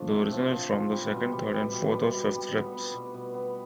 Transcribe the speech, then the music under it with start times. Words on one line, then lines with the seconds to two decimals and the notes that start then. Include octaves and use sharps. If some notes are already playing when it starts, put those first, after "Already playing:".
The origin is from the second, third and fourth or fifth ribs.
Already playing: F3 A3 D4
0.11 C3
0.31 F3
0.51 F3
0.72 F4
0.92 G3
1.13 B2
1.32 G3
1.53 G3
1.73 B2
1.93 G3
2.13 B2
2.33 G3
2.54 B3
2.74 B3
2.94 B2
3.14 B2
3.34 B3